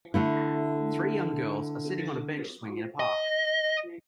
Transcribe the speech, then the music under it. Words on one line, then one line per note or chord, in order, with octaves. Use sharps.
Three young girls are sitting on a bench swing in a park.
D3 A3 E4
D#5